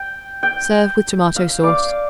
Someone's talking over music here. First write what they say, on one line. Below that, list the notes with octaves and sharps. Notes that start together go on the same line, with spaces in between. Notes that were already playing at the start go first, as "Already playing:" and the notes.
Serve with tomato-sauce.
Already playing: G5
G5
F5
D5 F5